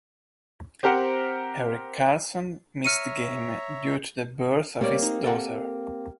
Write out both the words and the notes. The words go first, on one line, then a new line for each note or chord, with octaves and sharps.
Erik Karlsson missed the game due to the birth of his daughter.
C4 G4 A#4 C5 F#5
C#5 E5 A#5 F6 C#7 D#7
G3 A#3 C4 G4 C#5 D5
D#4
A4 A#4 F#5